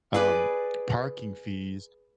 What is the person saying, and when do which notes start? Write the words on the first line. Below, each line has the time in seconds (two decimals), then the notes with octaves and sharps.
um, parking fees,
0.14 G#4 B4 D5